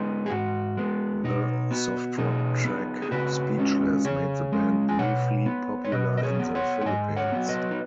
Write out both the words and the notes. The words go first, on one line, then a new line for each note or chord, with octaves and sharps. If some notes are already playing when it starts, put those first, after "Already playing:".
The soft rock track "Speechless" made the band briefly popular in the Philippines.
Already playing: G#3 B3 D#4
G#4
G#2 F#4
G#3 B3
B2 D#4
B3 F#4
B2 D#4 G#4
B3
G#4
C#3 F#4 B4
G#3 C#4
C#3 G#4 C#5
G#3 C#4
G#5
B2 C#5 F#5
B3
C#5
B2 B4 D#5
D#5
G#4 C#5
B3
C#5 F#5
F#5
G#2 D#5 G#5
C#5 F#5
F#3 B3
B4 D#5
D#4